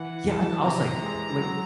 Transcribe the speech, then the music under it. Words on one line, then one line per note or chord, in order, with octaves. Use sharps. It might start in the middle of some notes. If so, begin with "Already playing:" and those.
Yeah, and I was like like
Already playing: E3 F#5
E3 A5
C3 A#5
G#3
F#3